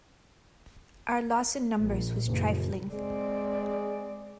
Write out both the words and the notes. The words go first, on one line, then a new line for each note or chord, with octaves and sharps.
Our loss in numbers was trifling.
A#1
F#1
G#3 C4 D5